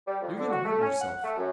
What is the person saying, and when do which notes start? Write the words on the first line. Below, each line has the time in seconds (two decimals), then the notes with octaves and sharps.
You're going to hurt yourself.
0.06 G3
0.21 F2
0.37 D3
0.50 F#4
0.65 A3
0.81 C#4
1.00 F#5
1.24 A3
1.37 F#2